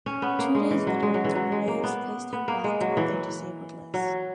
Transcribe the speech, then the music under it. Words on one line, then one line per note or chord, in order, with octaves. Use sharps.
Two days later, the Braves placed him back on the disabled list.
C#4
B3
A#3
G#3
E3
F#3
G#3
F#3
E3
F#3
G#3
A#3
B3
B3
A#3
G#3
F#3
E3
F#3